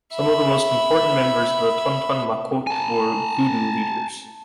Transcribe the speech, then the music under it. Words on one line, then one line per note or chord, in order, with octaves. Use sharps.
Some of the most important members of the "Tonton Macoute" were Vodou leaders.
E5 B5
G#5 A5